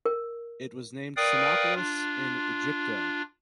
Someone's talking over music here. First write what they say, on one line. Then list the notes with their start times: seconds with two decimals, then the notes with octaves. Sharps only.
It was named Cynopolis in Aegypto.
0.05 A#4
1.17 A#4 B4 D5 F5 G5 D#6
1.75 D4 F4